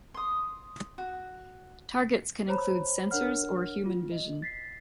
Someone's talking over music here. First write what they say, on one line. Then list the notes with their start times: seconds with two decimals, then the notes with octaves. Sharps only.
Targets can include sensors or human vision.
0.14 C6 D#6
0.98 F#4
2.48 C5 C#5 A#5 B5
3.11 D4 A#4 C#5 F#5 F6
3.86 F4
4.12 D#5
4.42 A6 B6 C7